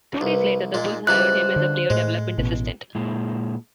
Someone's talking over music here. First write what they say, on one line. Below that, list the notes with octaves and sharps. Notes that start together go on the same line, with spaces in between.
Two days later, the Bulls hired him as a player development assistant.
C2 B4
A#2 G#3 D#4 G#4
C#2 E3 G3 C5 F#6
D3
A2 G#3
A1 B2
A#2 G#3 E4